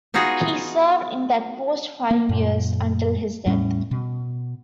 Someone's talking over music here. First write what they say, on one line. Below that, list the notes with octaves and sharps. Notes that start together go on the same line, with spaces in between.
He served in that post five years, until his death.
B3 D#4 F4 F#4 G#4
A#3
F#2 A#2
E2 A2 G3 C#4
B2